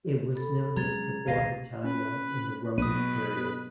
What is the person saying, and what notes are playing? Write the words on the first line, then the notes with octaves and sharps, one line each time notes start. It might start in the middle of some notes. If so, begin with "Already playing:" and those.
It was known as "Kfar Hittaya" in the Roman period.
A4 B5
F#3 G#3 C#4 G#4 A#5 G#6 A6
G#1 C#2 F5 A#6 C7 D#7
C#4 B4
B1 B2 F#3 B3 B4 D#6 D#7